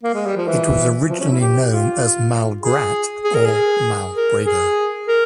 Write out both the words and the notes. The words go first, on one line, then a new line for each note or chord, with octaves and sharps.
It was originally known as "Malgrat" or "Malgrado".
A#3
G#3
G3
F3
E3
F3
C#4
E4
G4
F4
G#4
G#4
A#4
G#4
A#4
G#4
A#4